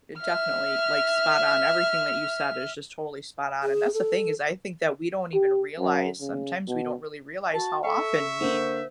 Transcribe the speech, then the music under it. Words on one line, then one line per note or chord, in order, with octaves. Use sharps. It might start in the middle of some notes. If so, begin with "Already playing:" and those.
it definitely, like, spot-on, everything that you said is just totally spot-on, and that's the thing is, I think that we don't even realize sometimes we don't really realize how often we
E5 F6
G#4
A4
G4
F#2
C#3
B2
F#4 A5
A4 E5 C#6
D3 A#3 C5